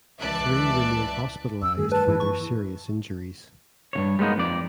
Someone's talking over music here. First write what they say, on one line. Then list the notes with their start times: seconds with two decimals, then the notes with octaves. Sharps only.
Three remained hospitalized for their serious injuries.
0.19 C#2 E3 D5 E5 A5 F#6
1.62 F2 E6
1.77 G2 D#3 A3 G#4
1.92 B4 A5
2.07 G2 E3 A#3 E4
2.20 C#6
3.93 G2 C#3 C#5
4.19 G3 G#3 A#3 B3 D#4
4.38 F2 D5